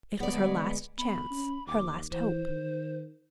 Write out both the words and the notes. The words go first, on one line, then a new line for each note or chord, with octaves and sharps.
It was her last chance, her last hope.
D2 G#3 B3 D5
B3 B5
C#4
D#2 D6
E3 C5
D#3